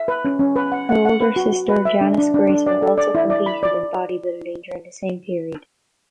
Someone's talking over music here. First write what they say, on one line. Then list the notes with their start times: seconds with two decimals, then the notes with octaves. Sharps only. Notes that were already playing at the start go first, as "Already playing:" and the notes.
Her older sister Janice Graser also competed in bodybuilding during the same period.
Already playing: E5
0.08 B4
0.25 C#4
0.40 C#4
0.56 B4
0.72 F#5
0.89 F#5
1.05 F#5
1.21 B4
1.36 F#4
1.53 F#4
1.69 B4
1.85 E5
2.01 D4
2.18 D4
2.34 D4
2.50 D4
2.66 D5
2.82 A4
2.98 D5
3.15 E4
3.30 D5
3.46 B5
3.63 D5